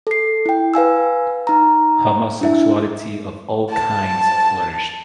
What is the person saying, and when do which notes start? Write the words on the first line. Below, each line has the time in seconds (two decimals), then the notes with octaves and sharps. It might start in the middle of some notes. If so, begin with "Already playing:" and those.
Homosexuality of all kinds flourished.
0.07 A4 C7
0.46 E4 G5
0.74 B4 F5 G#5 E6
1.47 D#4 A#5
2.41 D4 E4 E5
3.71 A5